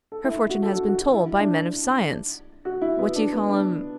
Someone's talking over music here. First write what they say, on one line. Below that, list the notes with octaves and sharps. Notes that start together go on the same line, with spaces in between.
Her fortune has been told by men of science--what do you call 'em?
A4
E4
E4
F#4
A4
F#4
F#4
F#4
E4
E4
D4
F#4
E4
B3
D4
B3
D4